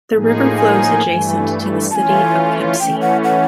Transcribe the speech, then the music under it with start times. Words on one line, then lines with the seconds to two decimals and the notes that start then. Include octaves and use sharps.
The river flows adjacent to the city of Kempsey.
0.12 A2 F3 A#3 D#4 G#4
0.57 G#5
1.02 G2 E3 A3
1.90 E3 A3 C#4 F4 A5
1.96 G#5
2.79 E3 A3 C#4 G5
3.02 F#5
3.24 F#5